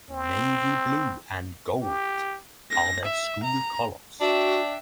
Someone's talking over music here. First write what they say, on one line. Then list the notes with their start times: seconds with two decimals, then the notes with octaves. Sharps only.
Navy blue and gold are their school colors.
0.11 C4
1.82 G4
2.71 A#6
3.05 E5
3.44 A#5
4.21 D4 F#4 E5 G5